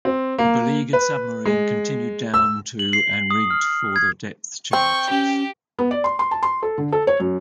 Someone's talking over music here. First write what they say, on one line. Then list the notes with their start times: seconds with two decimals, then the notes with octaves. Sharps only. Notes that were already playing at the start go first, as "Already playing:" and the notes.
The beleaguered submarine continued down to and rigged for depth charges.
0.05 C4
0.38 A#3
0.93 B4
1.45 G#3
2.34 E6
2.79 F#7
2.93 C7
3.31 D#6
3.50 F6
3.96 G#6
4.73 C4 G5 C#6
5.10 C#4 G4
5.79 B3
5.91 D5
6.04 C6
6.19 C6
6.31 A5
6.43 C6
6.63 A4
6.78 D3
6.92 A4
7.07 C#5
7.20 F#2